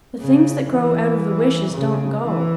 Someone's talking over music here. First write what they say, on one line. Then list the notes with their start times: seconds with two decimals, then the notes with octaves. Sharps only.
'The things that grow out of the wishes don't go.
0.20 C#3
0.71 E3
1.73 C#3
2.24 E3